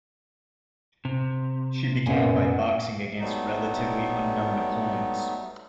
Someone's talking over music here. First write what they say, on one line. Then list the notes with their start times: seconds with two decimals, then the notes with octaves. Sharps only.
She began by boxing against relatively unknown opponents.
1.05 C3
2.06 F#2 A#2 B3 G#5
3.20 F#3 G3 A3 B3 D#4